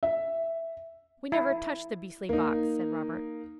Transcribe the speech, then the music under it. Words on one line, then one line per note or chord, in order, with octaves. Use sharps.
'We never touched the beastly box,' said Robert.
E5
E4
A#3 D#4